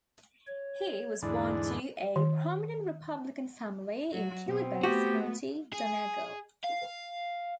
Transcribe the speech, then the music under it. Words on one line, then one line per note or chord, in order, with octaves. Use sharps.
He was born to a prominent republican family in Killybegs, County Donegal.
C#5
E2 G#2 D3 E4 D5
D#3
F#3 F#4
B2 C4
A3 B3 F#4 G4
G#4
F5